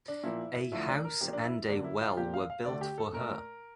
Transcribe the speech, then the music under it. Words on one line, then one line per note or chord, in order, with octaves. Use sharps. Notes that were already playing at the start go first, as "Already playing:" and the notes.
A house and a well were built for her.
D4
A#2 F3 A#3 E4
D2 D3 F3 A3 E4
D4
A#4
A#2 F3 A#3 G4
D4
E4
F2 D3 G3 A#3 D4
E4
F4
A#2 F3 A#3 G4
F5
F5
D2 D3 A3 D5
G4
A4
A#2 A3 A#4